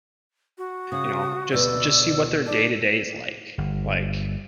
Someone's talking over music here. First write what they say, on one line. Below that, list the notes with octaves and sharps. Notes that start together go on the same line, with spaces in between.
you know, just just see what their day to day is, like like,
F#4
C#3 D#6
D2 B2 B4 D5 E6
D#4 A4 D5
G1